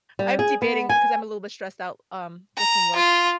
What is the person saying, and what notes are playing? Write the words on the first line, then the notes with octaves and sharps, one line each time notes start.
I'm debating 'cause I'm a little bit stressed out, um, just from work
G3
G#4
B3
G#5
A#5
F4